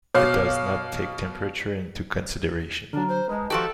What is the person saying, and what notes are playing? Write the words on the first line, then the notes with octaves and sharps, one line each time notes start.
It does not take temperature into consideration.
B2 C#5 F5 D6
D3 F#3 D4 A#4
C5
G#3 D#4 B4 A5
F3 F#4 G4 A4 A5